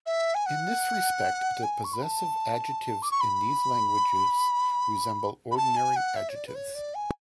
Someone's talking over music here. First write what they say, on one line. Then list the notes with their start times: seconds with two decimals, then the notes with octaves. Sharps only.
In this respect the possessive adjectives in these languages resemble ordinary adjectives.
0.06 E5
0.34 G#5
0.46 F#5
1.63 G#5
1.84 C#6
1.93 B5
2.02 A5
3.02 D6
3.11 C#6
3.20 B5
5.51 B5
5.56 A5
5.76 G#5
5.96 F#5
6.15 E5
6.29 C#5
6.35 D5
6.46 B4
6.54 C#5
6.74 D5
6.94 G#5